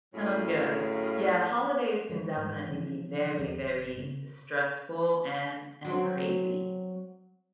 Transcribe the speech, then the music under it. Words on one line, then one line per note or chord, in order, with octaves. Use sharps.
Oh good, yeah, holidays can definitely be very, very stressful and and crazy,
F#2 A2 F#3 C#4 G#4 F5
D3 F3 G3 G#3
G#2 E3 G3 G#3
C3 E3 F3 G3
E2 D3 F3
G1
C#3
F#3 C4